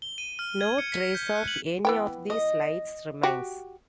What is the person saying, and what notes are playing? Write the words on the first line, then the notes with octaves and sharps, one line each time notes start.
No trace of any of these lights remains.
G7
D#7
F6
G#6
C#7
B6
G6
F#6
F#7
E3 B3 G5
D#5
F#4 G4